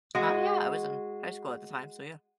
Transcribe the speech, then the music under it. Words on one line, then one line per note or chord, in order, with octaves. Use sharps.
Oh yeah, I was in high school at the time so, yeah.
G#3 F#4